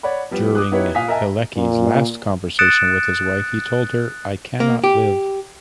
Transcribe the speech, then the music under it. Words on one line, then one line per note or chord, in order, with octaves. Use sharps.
During Pilecki's last conversation with his wife he told her: I cannot live.
C#5 D5 F#5 B5
F3 G3 B3
D6 D#6 F#6
B3 D#4 E4 G4 B4 C#5
A#2 F5 G#5 D#6 B6
A#4 D#5 E5 G#5 A5
A#2
D#6 F#6 A6 C#7 D7 E7
A#3
G4